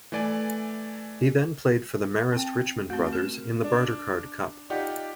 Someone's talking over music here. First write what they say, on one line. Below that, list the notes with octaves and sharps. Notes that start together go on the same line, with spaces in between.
He then played for the Marist Richmond Brothers in the Bartercard Cup.
E3 A3 D5 G#5
C4 G5
A3 C4 F#4 C5
A#4
D4
D#4 F4 G4 D5 F#5